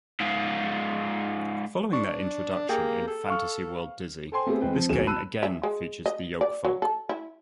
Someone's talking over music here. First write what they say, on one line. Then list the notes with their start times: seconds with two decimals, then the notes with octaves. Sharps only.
Following their introduction in Fantasy World Dizzy, this game again features the Yolkfolk.
0.20 G#2 F4
1.93 D4 C#6
2.69 A#3 G4 G#4 G5
3.07 A4
3.28 F5 C#6 F6
4.32 A4 C5 G5 G#5 C6
4.47 A3 B3 C4 G4 G#4
4.61 E2 G#3 C4 B4 G5
4.73 F3 C4
4.89 E1 B1 B2 D#3 G#4 E7
5.07 A5 B5 E6 F#6 D#7
5.43 E5
5.63 G#3
6.06 D#5
6.41 D5
6.65 F#3
6.82 A4
7.09 E4